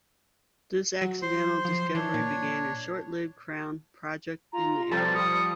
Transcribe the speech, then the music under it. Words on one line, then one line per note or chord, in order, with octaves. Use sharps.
This accidental discovery began a short-lived crown "project" in the area.
F#3
C5 C6
F3
E3 D4 C#5
A#2
F4 A#5
F3 G3 A4 A6
D#6 C#7